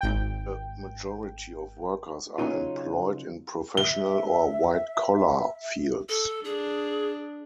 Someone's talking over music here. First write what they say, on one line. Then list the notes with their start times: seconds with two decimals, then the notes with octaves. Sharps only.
A majority of workers are employed in professional or white collar fields.
0.01 G#1 G5
2.38 C#3 F#3 C#4 D#4 F4
3.77 E5 G7
6.09 A4
6.44 D4 G#4